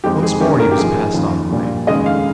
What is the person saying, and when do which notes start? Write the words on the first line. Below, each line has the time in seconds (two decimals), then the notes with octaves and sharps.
Once more he was passed on the way.
0.04 F2 D#3 G#3 C4 G4
0.23 G#4
0.41 G2 D#3 G3 A#3 C#4 G4
0.60 A#4
0.71 G4
0.77 G#1 G#2 F3 G#4
1.14 D#2 C#3 F3
1.50 A#1 A#2 G3
1.87 F1 D#2 C#3 G#3 C#4 D#5
2.06 F5